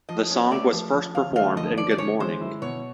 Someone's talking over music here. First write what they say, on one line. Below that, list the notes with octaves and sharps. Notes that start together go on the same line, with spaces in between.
The song was first performed in Good Morning!
F3 D#5
C#4
A3 D5
F3
F3
C#4 F5
A3 F5
F3 D#5
F3 D5
D5
C#4 C#5
G#3 C5
E4
B2 C#5